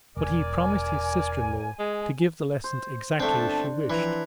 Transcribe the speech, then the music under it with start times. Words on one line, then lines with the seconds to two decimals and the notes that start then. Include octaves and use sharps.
But he promised his sister-in-law to give the lessons exactly as she wished.
0.17 E1 A#4 D5 G#5
1.79 G#3
2.64 C5
3.20 G1 A3 C4 D4 A5
3.90 E3 F3 C4 A#5